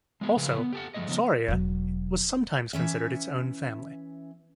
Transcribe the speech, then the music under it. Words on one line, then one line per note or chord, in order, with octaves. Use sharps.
Also, "Saurauia" was sometimes considered its own family.
G#3 B3 F#4 G#4
C#3 F3 G#4 B4 F5
B3
G4 A4 F#5
G2 F3 G#3 A3 G#4 D#5
C#3 F3 F#3 B3 D#4
E1 F#3
E3 C#4 E5